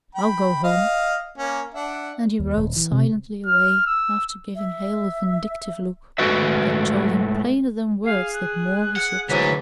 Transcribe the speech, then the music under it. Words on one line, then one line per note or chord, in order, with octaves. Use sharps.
"I'll go home." And he rode silently away, after giving Hale a vindictive look that told him plainer than words that more was yet to come.
G5 B5
D#5 F5
A#3 C#4
D4 E5 F#5
D#2
D#1
E3
C3
F6
E6
E5
G#2 A3 A#3 F#4 B4 E5
G#4 F5
F#6
F#5
D2 G#2 D3 E3 F#3 B6